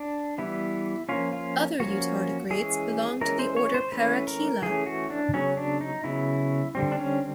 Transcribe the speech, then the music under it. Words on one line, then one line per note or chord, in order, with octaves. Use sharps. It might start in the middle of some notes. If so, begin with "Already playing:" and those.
Other eutardigrades belong to the order Parachaela.
Already playing: D4
E3 G3 B3 E4
F3 A#3 C#4 F4
F4
F3 A#3 C#4 F#4
E3 G#3 C#4 G#4
E3 G#3 C#4 A#4
C5
C#5
C5
E3 A3 C#4 B4
A#4
E3 A3 C#4 G#4
F#4
D4
C#3 F#3 B3 C#4
D4
D#4
C#3 F#3 B3 E4
D3 G3 C4
D4
C#4